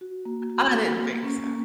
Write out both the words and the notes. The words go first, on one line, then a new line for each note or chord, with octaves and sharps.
I didn't think so.
F#4
A#3
F#4
A#3
A#3
C#4
A#3